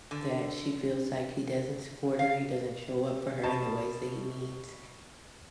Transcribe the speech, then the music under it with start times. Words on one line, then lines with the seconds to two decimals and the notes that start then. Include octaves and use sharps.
that she feels like he doesn't support her, he doesn't show up for her in the ways that he needs
0.11 D3
2.19 F5
3.43 B2 A5